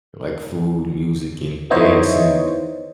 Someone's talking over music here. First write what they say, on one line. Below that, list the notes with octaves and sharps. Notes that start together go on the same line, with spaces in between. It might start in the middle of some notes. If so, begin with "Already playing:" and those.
like food, music, and dancing.
B3 D#4 E4 C5 C#5 D#5